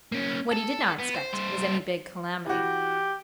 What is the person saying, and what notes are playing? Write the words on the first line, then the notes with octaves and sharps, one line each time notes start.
What he did not expect was any big calamity.
A#3 C#4
A4
B3
C5
G2 C5
E3 F#4 G4